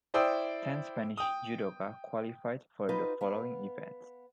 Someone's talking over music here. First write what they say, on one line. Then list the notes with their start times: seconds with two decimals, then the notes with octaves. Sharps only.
Ten Spanish judoka qualified for the following events.
0.14 E4 C5 D5 G5 D#6 E6
1.18 G5 D#6
2.89 D#4 F4 F#4 B4 C5
3.21 B3 F5